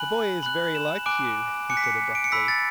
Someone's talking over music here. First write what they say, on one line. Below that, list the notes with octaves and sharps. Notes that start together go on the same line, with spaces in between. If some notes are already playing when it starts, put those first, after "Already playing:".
"The boy is very like you," he said abruptly.
Already playing: G#5 B5 F#6 F#7
B5 F#6 F#7
E7
G#5 D6 F#6 D7
G#5 D6 F#6 C#7
B6
C#7
D7
C#7
B5 E6 B6
A6